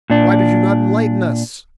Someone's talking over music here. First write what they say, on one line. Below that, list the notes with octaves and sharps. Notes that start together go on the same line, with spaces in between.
Why did you not enlighten us?
A#2 D4